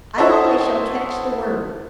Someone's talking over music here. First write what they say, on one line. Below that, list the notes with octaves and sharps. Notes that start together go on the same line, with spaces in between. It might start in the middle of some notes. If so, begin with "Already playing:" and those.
"I hope I shall catch the worm."
E4 F#4 A4 C5 C#5 D#5